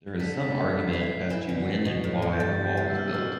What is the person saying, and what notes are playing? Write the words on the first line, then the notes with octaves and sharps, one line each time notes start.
There is some argument as to when and why the wall was built.
D3 B6
B6
B6
C7
E3 B6
E3
D3
B2
A2
F2
G6
G2 A6
G6
C3
E6
F6
E6
B2